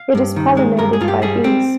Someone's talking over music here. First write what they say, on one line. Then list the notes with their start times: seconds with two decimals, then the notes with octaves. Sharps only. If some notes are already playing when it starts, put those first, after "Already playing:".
It is pollinated by bees.
Already playing: F5
0.15 G2
0.36 D#3
0.57 G#3
0.79 G2 A#4
0.93 G#4
1.01 G2 F4
1.08 G4
1.22 G3 G#4
1.44 C4 G4